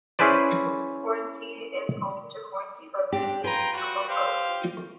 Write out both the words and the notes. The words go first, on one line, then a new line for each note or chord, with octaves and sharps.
Hornsea is home to Hornsea Rugby Union Football Club.
C#4 E4 G#4 B4 C5 D5
C4 D4 G4
F4 B4 G5 G#5 A#5
G3 F#4
G4 C5 F5